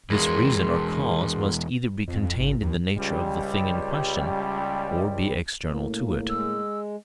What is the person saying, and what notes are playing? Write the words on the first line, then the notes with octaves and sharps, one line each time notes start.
This reason or cause must either be contained in the nature of the thing in question, or be external to it.
E2 G#3 G#4 A#4 C6
F2
F2
G#1
D#2
C#2 G3
A2 C#3 A#3
G#3 E6